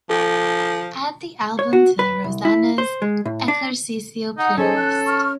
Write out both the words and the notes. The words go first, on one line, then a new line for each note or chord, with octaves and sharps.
Add the album to rosanna's ejercicio playlist.
F3 A4
C#5
F#4
B4
C2
E4
C5
G#3
A2
D4
D#4 F#5
C#4 D#4 G#4 A4 C5
F#6
C#6 F6